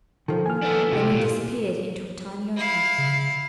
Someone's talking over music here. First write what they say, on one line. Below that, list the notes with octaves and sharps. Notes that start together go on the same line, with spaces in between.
Then he disappeared into a tiny opening.
D#3 F3 A4
A#3 G#5 F6
B3 D4 A4
C3 E4 G4
A#2
E4 F5
C#3